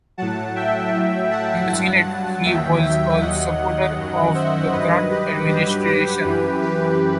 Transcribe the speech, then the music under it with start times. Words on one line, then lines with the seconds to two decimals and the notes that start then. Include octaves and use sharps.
In the Senate he was a supporter of the Grant Administration.
0.18 A2 F#3 F#5 A5
0.56 E5 G5
0.93 A2 F#3
1.31 F#5 A5
1.69 G2 F#3 F#5 A5
2.44 D#2 D#3 F#3 E5 G5
2.83 E5 G5
3.21 D#2 D#3 F#3 D#5 F#5
3.97 F#2 D#3 F#3
4.34 C5 E5
4.72 G2 D#3 F#3 B4 D#5
5.10 G4 B4
5.48 G2 F#3 G4 B4
5.86 G4 B4
6.24 F#2 E3
6.62 G4 B4